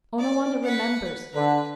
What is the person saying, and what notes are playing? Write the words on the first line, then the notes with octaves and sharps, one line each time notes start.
Onawandah remembers!
D5
B4 F#5
D3 B4